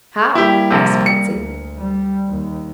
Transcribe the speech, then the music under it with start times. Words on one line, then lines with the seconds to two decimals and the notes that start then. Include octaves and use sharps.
"How?" asked Patsy.
0.35 G3 A#3 E4 G4
0.70 A#1 C3
1.06 C#7
1.37 D2
1.78 G3
2.29 D#2